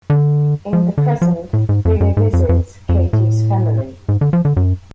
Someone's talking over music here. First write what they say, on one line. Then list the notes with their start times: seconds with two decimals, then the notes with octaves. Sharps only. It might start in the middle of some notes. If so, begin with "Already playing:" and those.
In the present, Billy visits Katie's family.
0.10 D3
0.73 F3
0.98 D3
1.22 F3
1.53 A2
1.69 G#2
1.85 F2
2.01 F#2
2.17 G#2
2.33 F2
2.49 F2
2.89 F2
3.13 A2
4.09 G#2
4.21 D3
4.33 F3
4.45 D3
4.57 F#2